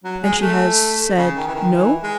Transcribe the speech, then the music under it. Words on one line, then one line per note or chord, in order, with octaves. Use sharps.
"And she has said No?"
F#3
G#3
A3
C#3
D#3
E3
D#3
E3
G#3